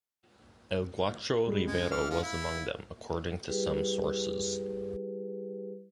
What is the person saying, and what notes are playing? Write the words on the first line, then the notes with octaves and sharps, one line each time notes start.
El Gaucho Rivero was among them, according to some sources.
G3 G#3
C#2 G#3
E3 F6
F3 F5
E4 F5
G3 E4 G4 G#4 B4